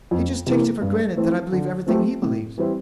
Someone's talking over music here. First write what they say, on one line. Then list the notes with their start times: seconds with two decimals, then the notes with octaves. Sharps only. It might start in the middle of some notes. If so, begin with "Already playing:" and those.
He just takes it for granted that I believe everything he believes.
0.11 F2
0.46 C3 E3 A#3
0.82 G2
1.17 E3 A3 C4
1.52 D3
1.87 F3 A3 C4 G4
2.22 A2
2.58 E3 G3 C4 E4